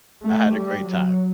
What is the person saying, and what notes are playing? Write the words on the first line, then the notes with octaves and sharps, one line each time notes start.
I had a great time.
A3
G3
F#3